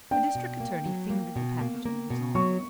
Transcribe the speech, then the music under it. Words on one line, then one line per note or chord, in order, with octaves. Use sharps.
The district attorney fingered the package under his arm.
D4 G5
B2
A#3
F#3
A#3
B2
A#3
A#3
B2
F#3 C#6